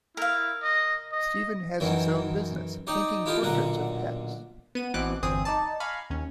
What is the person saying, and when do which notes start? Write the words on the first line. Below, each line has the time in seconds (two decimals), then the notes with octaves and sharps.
Steven has his own business: painting portraits of pets.
0.17 E4 A#4 F5
0.62 D#5
1.12 D#5
1.80 F#2 D#3 E3 F#3
2.87 D#4 G4 D5 D#5
3.26 E4 F4 G4 A4 D#5
3.41 B1 A#2 D3 F#5 A#5
4.75 B3 D#7
4.94 A1 B2 E3 C4 D6 F#6
5.23 G1 E2 C4 G#4 D#6
5.45 D#4 D5 A5
5.80 F5 G#5 A#5 B5 C#6
6.10 D#2 C#4